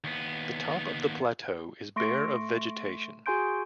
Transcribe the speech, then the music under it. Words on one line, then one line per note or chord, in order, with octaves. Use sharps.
The top of the plateau is bare of vegetation.
D#2 B3
A3 C6 C#6 A#6 D7
F#4 G#4 G#5 C6 G6 D7